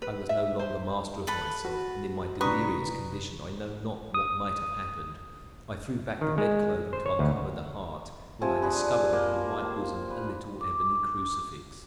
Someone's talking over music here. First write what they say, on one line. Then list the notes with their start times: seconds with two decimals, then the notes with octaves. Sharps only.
I was no longer master of myself, and in my delirious condition I know not what might have happened; I threw back the bedclothing to uncover the heart, when I discovered on her white bosom a little ebony crucifix.
0.02 B4
0.29 E5
0.59 C5
1.27 A4 B4 B5
1.65 F#4
2.41 C3 D4 B4 A#5 C#6 D#6
4.14 D#6
6.21 D#3
6.38 G#3
6.93 C5
7.06 C#5
7.19 D2
8.41 C3 F3 G#5
8.62 D4 G#4 B4
9.13 A#3
9.60 C5 G5
10.10 B4
10.61 D6